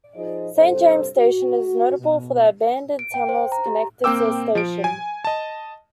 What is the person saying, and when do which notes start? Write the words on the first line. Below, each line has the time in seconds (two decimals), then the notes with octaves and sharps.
Saint James station is notable for the abandoned tunnels connected to the station.
0.15 F3 D#4 F4 G#4 C5 D#5
0.55 G2 C3 A4 C5
1.17 F#4
1.99 B2
2.99 D7
3.14 G5
3.29 C5
3.52 A#5
3.66 G4
4.04 A#3 C4 G5 D6 E6
4.55 F3 D7
4.84 G#5
5.25 D#5 A5